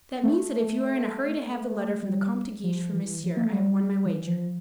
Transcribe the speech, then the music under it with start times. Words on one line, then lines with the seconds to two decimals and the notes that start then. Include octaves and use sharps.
"That means that if you are in a hurry to have the letter from the Comte de Guiche for Monsieur, I have won my wager."
0.23 A3
2.03 G3
2.64 F3
2.93 E3
3.23 F3
3.37 A#3
3.45 A3
3.53 G3
3.83 G3
4.05 E3
4.27 F3